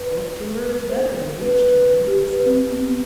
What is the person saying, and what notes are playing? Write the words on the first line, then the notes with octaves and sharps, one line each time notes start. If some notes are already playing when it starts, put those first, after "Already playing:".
"Oak timber is better than Beech timber," they said.
Already playing: B4
C5
B4
B4
B4
G4
B4
C4
B3